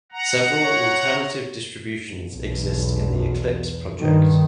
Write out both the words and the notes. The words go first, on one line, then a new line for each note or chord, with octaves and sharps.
Several alternative distributions exist in the Eclipse project.
F#5 A#5
C#5
B1 E2
G2 D#3